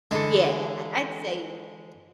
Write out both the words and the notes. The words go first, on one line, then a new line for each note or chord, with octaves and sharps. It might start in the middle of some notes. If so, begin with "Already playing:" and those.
yeah, I I'd say
D3 E3 G#3 A4